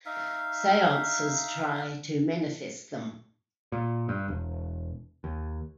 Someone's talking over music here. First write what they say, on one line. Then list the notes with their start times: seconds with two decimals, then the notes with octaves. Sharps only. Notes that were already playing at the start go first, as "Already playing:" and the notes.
Seances try to manifest them.
0.06 D#4 E5 F5
3.72 A#2
4.09 G2
4.28 E1
5.24 D#2